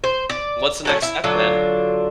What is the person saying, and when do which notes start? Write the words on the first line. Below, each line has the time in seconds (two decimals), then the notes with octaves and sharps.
what's the next step then
0.04 C5
0.29 D5
0.85 F#3 A3 C#4
1.02 E4
1.24 D3 F#3 D4 F4